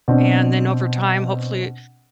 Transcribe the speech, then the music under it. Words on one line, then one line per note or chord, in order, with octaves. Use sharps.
and then over time, hopefully,
B2 C4 D4